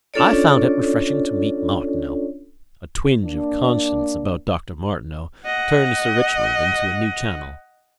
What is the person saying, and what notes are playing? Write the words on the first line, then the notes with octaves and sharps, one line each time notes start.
"I found it refreshing to meet Martineau." A twinge of conscience about Dr. Martineau turned Sir Richmond into a new channel.
C#4 D4 F4 A4 C#5 D5
A#3 D4
D#5 F#5